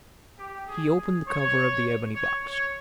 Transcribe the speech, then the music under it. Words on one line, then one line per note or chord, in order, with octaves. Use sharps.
He opened the cover of the ebony box.
G4
G#4
G#4
C#5
C#5
C#5